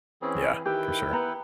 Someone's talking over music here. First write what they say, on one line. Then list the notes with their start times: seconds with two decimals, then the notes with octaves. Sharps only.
Yeah. For sure.
0.22 E3 C4 C#4 G#4
0.66 D#3 E4 G4 B4 G5
1.13 B3 A#5